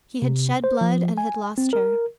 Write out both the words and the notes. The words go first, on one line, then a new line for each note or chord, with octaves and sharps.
He had shed blood and had lost her.
C3
C5
F3
G#5
C4
A#4